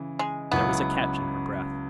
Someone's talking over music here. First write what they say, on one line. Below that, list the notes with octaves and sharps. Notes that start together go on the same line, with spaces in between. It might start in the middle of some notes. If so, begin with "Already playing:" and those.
There was a catch in her breath.
Already playing: C#3 E3
G#3
C#2 C#3 F#3 B3 E4